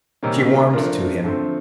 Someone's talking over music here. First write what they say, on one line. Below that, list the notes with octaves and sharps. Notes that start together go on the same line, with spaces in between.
She warmed to him.
C3 D#3 G3 A#3 C#4
F3 A3 D4 F4 A#4
D3 F3 A3 C4